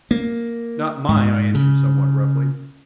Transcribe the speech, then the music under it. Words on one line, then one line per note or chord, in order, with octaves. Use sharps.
"Not mine," I answered somewhat roughly.
A#3
G#2
C#3